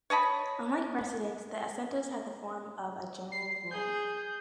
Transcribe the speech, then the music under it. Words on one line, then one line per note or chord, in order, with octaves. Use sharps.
Unlike precedents, the assentos had the form of a general rule.
C#5 D#5 A5 B5
C7
G#4 G6